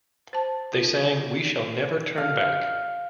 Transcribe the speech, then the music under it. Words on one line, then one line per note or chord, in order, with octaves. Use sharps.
They sang, We Shall Never Turn Back.
C5 A5
F4
F5